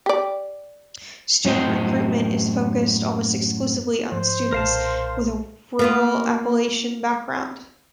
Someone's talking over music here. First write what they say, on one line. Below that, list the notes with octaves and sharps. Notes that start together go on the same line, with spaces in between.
Student recruitment is focused almost exclusively on students with a rural Appalachian background.
G4 D5
F#2 A2 F#4 C5 D#5 G5
G#2 F3 C5
B1 A#2 A#4 F5 A5
A#3 B3 F4